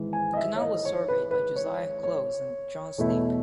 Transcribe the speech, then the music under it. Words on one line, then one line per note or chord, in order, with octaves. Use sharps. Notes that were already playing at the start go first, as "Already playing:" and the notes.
The canal was surveyed by Josiah Clowes and John Snape.
Already playing: G#1 E3 G#3
G#5
D#5
E5
C#5
D#5
C#5
B4
B4
C#5
C#5
E2 B2 A3 E4